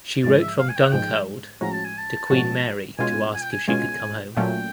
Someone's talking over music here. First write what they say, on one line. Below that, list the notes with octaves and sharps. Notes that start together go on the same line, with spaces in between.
She wrote from Dunkeld to Queen Mary to ask if she could come home.
G#2 F3 G#3 D5
E5
F5
G#5
G5
F#5
G#2 F3 G#3 G5
A2 F3 G#3 C#4 F#4 A#5
A5
G#5
A5
A2 F3 G#3 C#4 F#4
B2 G#3 C#4 F4 G#5
G#5
G5
G#5
B2 G#3 C#4 F4 G#5
A#2 F#3 A3 C#4 G5